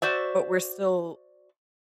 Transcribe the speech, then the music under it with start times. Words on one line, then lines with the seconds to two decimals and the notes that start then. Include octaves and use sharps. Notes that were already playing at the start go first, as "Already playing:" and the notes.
But we're still
0.02 F#4 C5 D5 E5